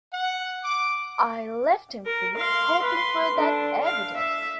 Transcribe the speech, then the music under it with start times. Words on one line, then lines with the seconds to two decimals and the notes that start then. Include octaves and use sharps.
I left him free, hoping for that evidence.
0.12 F#5
0.65 D6
2.06 A#4
2.38 F5 C6
2.84 B4 C6
3.35 D3 D4
3.83 F5
4.17 E5